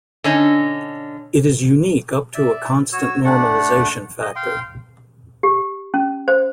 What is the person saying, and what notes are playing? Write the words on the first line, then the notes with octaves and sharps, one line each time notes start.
It is unique up to a constant normalization factor.
D3 C#4 D#4
D5 E5
F#4 C#5 E6
A3 D4 D5 F#5
D#5
F5 G5 C6
G4
C#4
C5